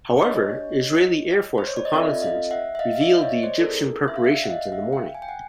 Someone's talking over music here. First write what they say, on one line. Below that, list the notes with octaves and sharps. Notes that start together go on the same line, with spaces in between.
However, Israeli Air Force reconnaissance revealed the Egyptian preparations in the morning.
D5
D4 G4 C#5 D#5
C5
C#5
D5
D#5
C4 F4 A4 D5 E5
D#5 F5
E5 F#5
E5
D#5 F5
F5
D5 E5
C#5 D#5
C5 D5
A4
C4 E4 G#4 A#4
E5
F5
D5 E5
F#5
D#5 F5
E5 F#5
F5 G5
G#5
G5
F#5 G#5